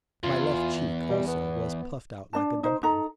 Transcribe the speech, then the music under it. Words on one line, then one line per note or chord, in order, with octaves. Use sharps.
My left cheek, also, was puffed out like a dumpling.
E2 F4
G3
B3
D4 D5 A5
D#4 C5
D#4 A4 A#5